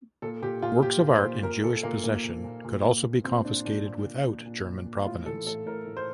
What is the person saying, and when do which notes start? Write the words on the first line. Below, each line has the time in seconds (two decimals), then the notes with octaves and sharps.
Works of art in Jewish possession could also be confiscated without German provenance.
0.22 A#2 A4
0.42 A#2 G4
0.62 A#2 F4
0.82 A#2 G4
1.03 A#2
1.13 C5
1.23 A#2
1.43 A#2 A#4
1.64 A#2 A4
1.83 A#2 A#3
2.04 A#2 A#3
2.24 A#2
2.44 A#2
2.64 A#2
2.84 A#2
3.05 A#2
3.24 A#2 C4
3.45 A#2 D4
3.65 A#2 D4
3.85 A#2
4.05 A#2
4.26 A#2
4.46 A#2
4.65 A#2
4.86 A#2
5.06 A2 F4
5.26 E3 A4
5.46 A2 A4
5.66 A2 A#4
5.86 A2
5.97 C5